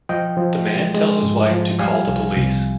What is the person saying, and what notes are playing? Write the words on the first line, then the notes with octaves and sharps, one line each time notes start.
The man tells his wife to call the police.
F3 D#5 G5
F3
G#3
G#3
G#2
F3
G3 F5 G#5
C2
C2